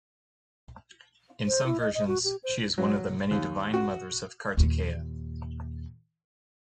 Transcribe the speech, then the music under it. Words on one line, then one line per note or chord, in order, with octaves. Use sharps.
In some versions, she is one of the many divine mothers of Kartikeya.
C5
E4
D#5
D#5
F#4
G4
C5
F#3
D#2
F#4
D#2 A#2